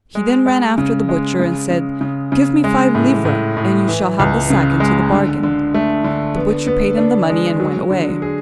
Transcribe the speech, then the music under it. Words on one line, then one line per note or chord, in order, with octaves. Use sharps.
He then ran after the butcher, and said, "Give me five livres, and you shall have the sack into the bargain." The butcher paid him the money, and went away.
G#3
G#3
C#3
G#3
C#3
C#3
C#3
C#3
G#3
A2
A2
A2
E3
C#2
C#3
G#3
D3
D3
A3
D3
B3
B3
D4
G#3
F#3
D3
G#4